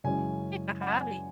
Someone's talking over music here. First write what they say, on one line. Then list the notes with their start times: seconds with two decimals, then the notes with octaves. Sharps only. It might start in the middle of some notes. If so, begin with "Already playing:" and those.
pick a hobby?
0.04 F#2 C#3 E3 G#3 C#4 G#5
0.81 F#5
1.01 G#5